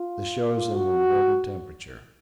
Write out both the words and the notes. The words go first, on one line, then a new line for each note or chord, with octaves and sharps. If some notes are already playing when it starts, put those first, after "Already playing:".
This shows an inverted temperature.
Already playing: F4
F#4